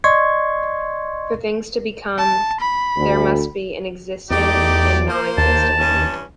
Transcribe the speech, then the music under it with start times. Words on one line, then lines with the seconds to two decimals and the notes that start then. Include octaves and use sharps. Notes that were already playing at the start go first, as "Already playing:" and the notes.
For things to become, there must be an existent and a non-existent.
0.04 D5 D#5 C6 C#6 G#6
2.18 A5
2.61 B5
2.97 D2
4.31 E2 A3 D#4 G4 D5
5.07 A#3 C5
5.38 D#2 A5
5.80 G2 E3 C#4